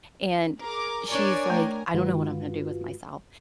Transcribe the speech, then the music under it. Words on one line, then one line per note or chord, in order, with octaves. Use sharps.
and she's like, "I don't know what I'm gonna do with myself."
G#4 A#4 D6
D4 A#4 C#5 D5 G#5
A3
G2 D#3 G#3 F4 F#4 B4